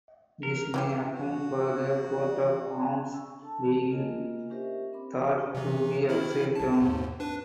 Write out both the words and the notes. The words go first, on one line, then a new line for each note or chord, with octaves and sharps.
This may account for the coat of arms being thought to be upside down.
A#4
E3 C#4 G4
F#4
D5
C#6 E6
D4 A4 A5
A#3 B3 F4 A#4 D#5 G#5
C#4 D4 G4 A#4 C5 E5
C4 A#4 B5 D6
C3 E3
D#3 E4
C2 A5
D#2 G#2
D4 B4